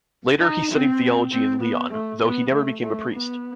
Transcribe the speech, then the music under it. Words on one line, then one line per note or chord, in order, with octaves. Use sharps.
Later he studied theology in Lyon, though he never became a priest.
D#4
C4
C4
B3
A3
B3
A3
A3
B3